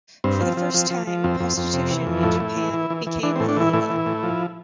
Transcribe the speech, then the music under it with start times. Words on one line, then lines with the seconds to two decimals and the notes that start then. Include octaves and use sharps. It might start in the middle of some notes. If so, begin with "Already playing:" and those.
For the first time, prostitution in Japan became illegal.
0.24 G2 C4
0.41 F3
0.57 F3
0.74 F3
0.91 F3
1.07 F3
1.24 F2 C4
1.40 F2
1.57 F2
1.74 C3
1.91 E3
2.07 F2
2.23 A2 E4
2.40 A2
2.57 E3
2.74 E3
2.90 E3
3.07 E3
3.23 E3 D4
3.36 C4
3.40 A2
3.48 D4
3.57 E3 E4
3.73 A2 E4
3.90 E3
4.06 A2
4.23 F3